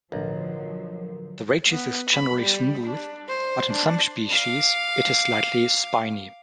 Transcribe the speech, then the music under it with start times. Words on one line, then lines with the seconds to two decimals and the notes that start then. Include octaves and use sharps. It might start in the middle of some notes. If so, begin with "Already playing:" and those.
The rachis is generally smooth, but in some species it is slightly spiny.
0.12 B1 A2 D3 F3 F#3 A#4
1.71 B3
2.10 B5
2.41 G3
2.86 D4
3.28 C5
3.73 D4
4.31 F5 D6